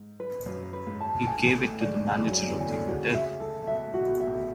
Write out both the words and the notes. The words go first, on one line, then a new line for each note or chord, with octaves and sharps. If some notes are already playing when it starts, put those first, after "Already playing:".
He gave it to the manager of the hotel.
Already playing: G#2
B4
F#2 B4
B4
G#2
A5
A1 A2 G#5
A1 A2 G#4
A3
G#2 G#3 D5
G#2 G#3 G#5
G#3
F#2 F#3
D5
E2 E3
G#5
D2 D3
C#2 C#3 F#4
E5
A4
B1 B2 E5
G#2
F#4
B2
A1 A2
E5
A1 A2